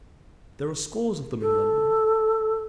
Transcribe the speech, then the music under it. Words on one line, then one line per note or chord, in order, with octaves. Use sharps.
There are scores of them in London.
A4